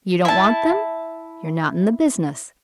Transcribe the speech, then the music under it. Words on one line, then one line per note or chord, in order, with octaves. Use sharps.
You don't want them--you're not in the business.
E4 A5